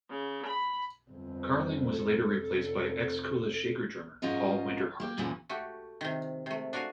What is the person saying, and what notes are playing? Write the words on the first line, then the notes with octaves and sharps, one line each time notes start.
Carling was later replaced by ex-Kula Shaker drummer Paul Winter-Hart.
C#3
B5
G1 F2
A4
F1
G#2 F3 C#4 F4 A#4 D#5
A#3 G4
D2 A#2 D3 E3 C#4
A3 F#4 G4
C3 D#3
C3 A3
D4 F#4 A#4 F5 G#5